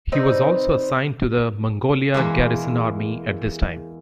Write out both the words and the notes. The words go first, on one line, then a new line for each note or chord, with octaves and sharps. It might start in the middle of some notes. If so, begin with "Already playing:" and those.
He was also assigned to the Mongolia Garrison Army at this time.
C4 D#4 B4 D5
E2 G#3 A#3